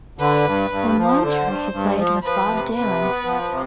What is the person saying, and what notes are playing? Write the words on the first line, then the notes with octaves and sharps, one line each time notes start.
On one tour he played with Bob Dylan.
D3 B4
G2
G2
F3
D3 C5
G2
G2
F3
F3 B4
C3
C3 B4
B3
F3
C3